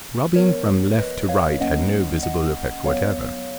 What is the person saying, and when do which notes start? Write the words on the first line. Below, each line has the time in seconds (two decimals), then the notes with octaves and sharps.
Rubbing from left to right had no visible effect whatever.
0.36 F3 B3 A#4 C#5
0.98 B4 D#5
1.29 C#5 F5
1.60 F#3 A#3 C#4 D#5 F#5
2.23 D#5 F#5
2.85 F#3 B3 C#5 F5